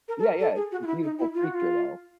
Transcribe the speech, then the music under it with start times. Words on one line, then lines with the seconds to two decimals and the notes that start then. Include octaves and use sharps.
Yeah, yeah, it's a beautiful creature, though.
0.08 A#4
0.19 A4
0.24 A#4
0.40 A4
0.56 G#4
0.72 F#4
0.82 F4
0.87 E4
1.03 D#4
1.19 E4
1.35 F4
1.44 F#4
1.54 F4